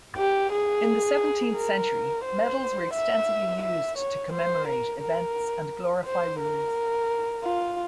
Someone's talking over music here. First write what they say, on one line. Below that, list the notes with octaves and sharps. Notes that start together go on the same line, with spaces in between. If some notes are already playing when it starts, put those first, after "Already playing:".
In the seventeenth century medals were extensively used to commemorate events and glorify rulers.
G4
G#4
A#4
C5
E5
E5
C#5
C5
A#4
A#4
C5
A#4
F4